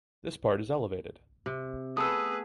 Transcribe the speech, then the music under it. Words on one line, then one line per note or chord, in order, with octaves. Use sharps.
This part is elevated.
C3
A3 B3 G#4 A4 B4 D#6 E6